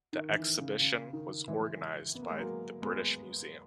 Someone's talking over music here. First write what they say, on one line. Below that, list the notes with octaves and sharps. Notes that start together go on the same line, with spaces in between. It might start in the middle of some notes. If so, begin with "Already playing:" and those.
The exhibition was organized by The British Museum.
D#3
E3
D#3
C#3
C#3
D#3
E3 G#3
B3
A#3
G#3
F#3 A#3
G#3 B3